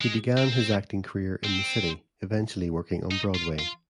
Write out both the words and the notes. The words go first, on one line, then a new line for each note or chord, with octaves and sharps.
He began his acting career in the city, eventually working on Broadway.
G#3
C4
C4
D#4
F4
F4